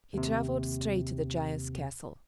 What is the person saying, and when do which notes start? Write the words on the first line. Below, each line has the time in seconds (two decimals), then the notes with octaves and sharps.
He traveled straight to the giant's castle.
0.13 D#2 C3